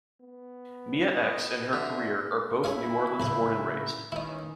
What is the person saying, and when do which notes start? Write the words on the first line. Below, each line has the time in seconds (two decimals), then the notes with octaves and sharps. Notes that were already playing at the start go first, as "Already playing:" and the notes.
Mia X and her career are both New Orleans born and raised.
0.22 B3
1.13 D#5
1.73 D3 E5
2.64 D3 A#3 E4 G#4 C#5 F5
3.20 B1 A2 C#3 B4 B5
4.12 D#3 E3 C#4 D#4 E4